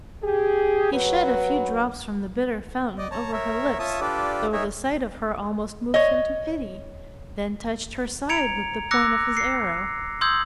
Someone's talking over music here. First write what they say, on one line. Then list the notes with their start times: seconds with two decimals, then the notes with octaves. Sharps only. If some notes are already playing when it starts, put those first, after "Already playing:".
He shed a few drops from the bitter fountain over her lips, though the sight of her almost moved him to pity; then touched her side with the point of his arrow.
0.23 G4 G#4
0.92 F#3 B4
2.98 D5 D#5
3.11 C#5 A5 A#5
3.32 A#4 C#5 E5
3.79 F4 C#5 E5 A5 D#6
4.01 D4 F4 G4 A4 B4 D5
4.53 D#4 G#4 A#4 C#5 E5
5.94 C#5 D#5
8.29 A#5 G#6 C#7 D7 F7
8.91 D6 E6 F#6 A#6 C#7
9.37 C7 C#7
10.21 C6 D#6 E6 G6 G#6 F#7